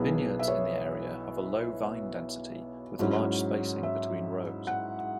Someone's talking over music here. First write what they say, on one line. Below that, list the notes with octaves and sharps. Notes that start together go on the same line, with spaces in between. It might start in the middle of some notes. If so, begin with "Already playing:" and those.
Vineyards in the area have a low vine density with large spacing between rows.
Already playing: B1 B2 B3 E4 G#4
E5
C#5
G#2 F#3 C#4 E4
E5
F#5